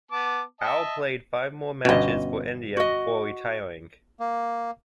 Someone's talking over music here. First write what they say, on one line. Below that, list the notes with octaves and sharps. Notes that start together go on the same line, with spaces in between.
Ao played five more matches for India before retiring.
B3 A5 D6
D#5 E5 A5
G1 B2 C#4 D#5
F#4 D#5
A#3